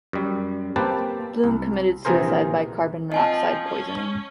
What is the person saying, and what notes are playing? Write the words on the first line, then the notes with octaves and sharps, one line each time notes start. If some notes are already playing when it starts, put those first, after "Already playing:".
Bloom committed suicide by carbon monoxide poisoning.
F#2 G3
A#3 C4 G4 B4 A5
C2
A#1 C3 E3 G#4 A#4 C5
F3 C4 D#5 G#5 A5
C#4